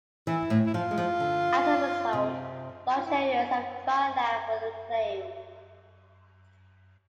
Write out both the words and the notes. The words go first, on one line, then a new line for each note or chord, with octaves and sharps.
As a result, large areas of dry land were reclaimed.
E3 E4
A2
E4
F3 F4
G#3
F3
D3
C3
F4
E4
D4